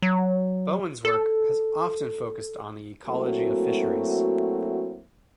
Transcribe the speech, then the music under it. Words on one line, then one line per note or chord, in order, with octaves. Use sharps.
Bowen's work has often focused on the ecology of fisheries.
F#3
A4
F#3 A3 A#3 C4 E4 F#4